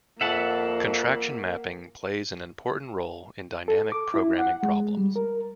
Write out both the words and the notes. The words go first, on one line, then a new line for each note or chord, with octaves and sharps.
Contraction mapping plays an important role in dynamic programming problems.
F2 A#3 E5 F#5 A5
A4
D6
E4
F#5
G#3
G3
A#4